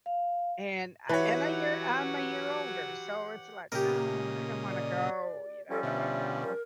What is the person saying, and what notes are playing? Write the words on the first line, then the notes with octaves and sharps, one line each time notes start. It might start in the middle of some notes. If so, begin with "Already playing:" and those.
And I in a year I'm a year older, so it's, like, "Oh, I don't wanna go," you know, "I don't wanna go."
F5
E3 F#3 G4 B4 C#5 F#5
A#2 C#3 G4 A#4 D#5
D5
F3 G3 C#4 A4
B2 D3 E5
A#4